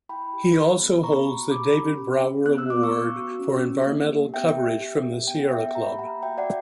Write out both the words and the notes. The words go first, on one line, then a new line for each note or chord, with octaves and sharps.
He also holds the David Brower award for Environmental Coverage from the Sierra Club.
E4 G5 B5
G4
G4
B3
B5
B3 A#5 C#6
F#4
G4 B5 D6
C#4
G4
C#4
B3 F#6
E6
B3 D6
C#6 E6
B3
F#4
C#4
C#4
A#3
G4
B3 E5 G5
G4
G4
G4
B3 G5
F#5
B3 E5 G5
G4 A#5
B5
A#3 F#5 A#5
F#4 E5 G5
D5 F#5